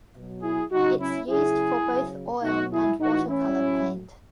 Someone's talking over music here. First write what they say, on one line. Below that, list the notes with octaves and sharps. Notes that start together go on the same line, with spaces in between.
It's used for both oil and water color paint.
B2 F#3
E4 G#4
C#3 F#3 D#4 F#4
C#4 E4
C#3 F#3 E4 G#4
C#3 F#3
B2 F#3 D#4 F#4
E4 G#4
A2 E3 D#4 F#4
C#4 E4
A2 F#3